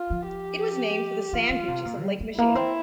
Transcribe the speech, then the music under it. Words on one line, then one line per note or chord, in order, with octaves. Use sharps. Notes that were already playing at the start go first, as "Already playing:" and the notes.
It was named for the sand beaches of Lake Michigan.
Already playing: F4
F3
G4
E3 F4
E3
C3
A#2
G3
G3
A#3 E4
C4